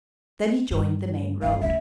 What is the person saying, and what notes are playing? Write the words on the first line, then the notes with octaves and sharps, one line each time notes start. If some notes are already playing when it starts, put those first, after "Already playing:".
Then he joined the main road.
G2
G2 F3 F5
D2 C#3 E5